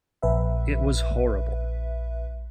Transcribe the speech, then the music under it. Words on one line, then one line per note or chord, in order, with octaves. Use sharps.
It was horrible.
A#1 B4 E5